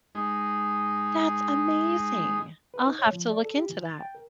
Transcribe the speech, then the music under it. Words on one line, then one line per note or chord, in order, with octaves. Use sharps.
That's amazing, I'll have to look into that.
G#3 D#4
B4
D#4
C#5
F3
D5
A4
G4
E3
A6
G5
A#4